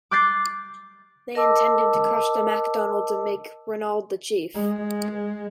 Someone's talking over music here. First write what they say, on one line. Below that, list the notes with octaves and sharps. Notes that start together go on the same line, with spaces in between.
They intended to crush the MacDonalds and make Ranald the chief.
D6 F#6 G6 A6 C7
A#4 D#5 A5 D6 E6
G#3